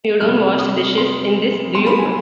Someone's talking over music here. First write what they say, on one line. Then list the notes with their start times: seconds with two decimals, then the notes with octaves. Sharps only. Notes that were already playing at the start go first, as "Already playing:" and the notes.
You don't wash the dishes in this, do you?
0.21 F1 F2 C3 G3 F6
0.59 D#6
0.98 C6
1.75 B1 B2 G3 C6
1.86 B5
1.99 G#5